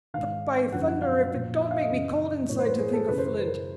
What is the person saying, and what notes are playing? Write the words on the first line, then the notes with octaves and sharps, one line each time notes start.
But, by thunder! If it don't make me cold inside to think of Flint.
G#2 D#3 F5
F#2 D3 F3 F#5
F#5
F5
A#2 F3
E5
F5
D#5
F#2 C#3 E3
A2 E3 C#5
C5
B4
G#4
A4
F#2 C#3 E3 B4
C5
B4
B4
A#4